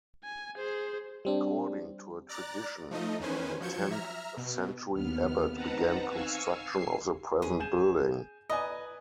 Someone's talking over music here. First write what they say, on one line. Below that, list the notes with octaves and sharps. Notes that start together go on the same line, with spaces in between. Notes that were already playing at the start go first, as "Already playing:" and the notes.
According to a tradition, a tenth-century abbot began construction of the present building.
G#5
G#4 C5
G3 C4 D4
D5 A#5 F#6 A6
F3 A3 D#4 D#5
E2 D#3 C#4 B4 C5 G#5
F3 F#3 G6 G#6 C#7 E7
E5 A#5 F6
B2
D#2 B3 F6
C4 D#4 B4 F#5 A5 A#5
F5 G#5 C#6 E6
C7
C#4 G#4
G#5 G6 E7
B4 D5 D#5 G#5 A#5